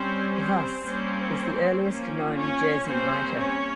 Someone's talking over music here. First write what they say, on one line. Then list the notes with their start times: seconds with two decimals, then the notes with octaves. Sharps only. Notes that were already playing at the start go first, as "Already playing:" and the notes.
Wace is the earliest known Jersey writer.
Already playing: G3 C4 C#4 C5
0.33 C4 C5
0.84 G3 A#3 C4 C#4 C5
1.86 F3 A#3 C#4
2.36 C#4 C#5
2.86 G3 A#3 C4 C#4 C5
3.37 C#4 C#5